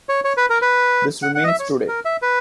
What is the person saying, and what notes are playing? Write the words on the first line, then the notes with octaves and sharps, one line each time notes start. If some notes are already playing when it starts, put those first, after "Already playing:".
This remains today.
C#5
C#5
B4
A#4
B4
F#5
F#5
D#5
E5
C#5
A#4
E5
B4